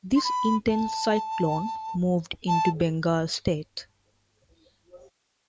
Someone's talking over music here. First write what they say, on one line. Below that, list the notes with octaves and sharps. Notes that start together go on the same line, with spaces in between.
This intense cyclone moved into Bengal state.
C6
B5
A5
A5